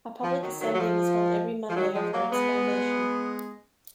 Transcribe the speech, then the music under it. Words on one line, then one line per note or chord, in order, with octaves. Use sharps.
A public assembly was held every Monday after its foundation.
F3
D#3 F#3
D#3 F#3
F#3
F3
F3
D#3 F#3
F3 G#3
F#3 A#3
G#3 B3